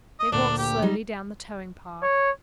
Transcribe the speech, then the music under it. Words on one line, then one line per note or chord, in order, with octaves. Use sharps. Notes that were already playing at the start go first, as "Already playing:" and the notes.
They walked slowly down the towing-path.
D#5
D2 A#2 D4
G4
G3 D#4
C#5